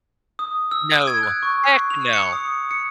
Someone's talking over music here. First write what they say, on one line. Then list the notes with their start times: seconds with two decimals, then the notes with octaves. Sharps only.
No. Heck no.
0.39 D#6
0.71 E6
0.90 D7
1.07 G#6
1.23 F#6
1.43 C#6
1.64 C7
1.90 F7
2.13 C#7
2.32 D#6
2.71 C#7